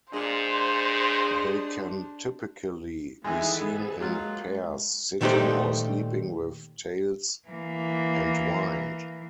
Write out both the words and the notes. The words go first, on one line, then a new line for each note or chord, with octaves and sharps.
They can typically be seen in pairs sitting or sleeping with tails entwined.
A#2 G#3 D4 C5
D#3 E3 G#3 B3 E4 G#4 A4
G#2
F#3 G#3 A#3 F4
A#2 D#3 A3 D#4 G4 C5
E3 A#3